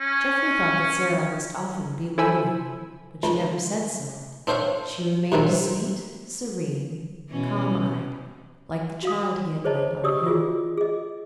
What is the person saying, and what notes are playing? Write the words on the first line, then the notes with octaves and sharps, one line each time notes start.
Jeffrey thought that Sara must often be lonely, but she never said so; she remained sweet, serene, calm-eyed, like the child he had met on the hill.
C#4
E4 A4 C5 G#5 B5 E6
C#2
C4 D4 C5 C#5 F5
G2 B2 D#3 F#3 C4
B2 E3 C#4
F#4 F5 D#6
G#4 C5 C#5 D#5 A5 A#5
G4 D5 D#5 D#6 E6
F4 F#4 G#4
G#4 D#5